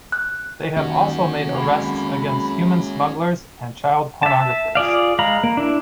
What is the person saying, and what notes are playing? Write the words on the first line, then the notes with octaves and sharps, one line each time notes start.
They have also made arrests against human smugglers and child pornographers.
F#6
D#2 C#4 F#4
G#3 A#3 B5
E5 A5
F4 G#4 D5 F5
G#3 F5 A#5 B5
A#3
D4 E4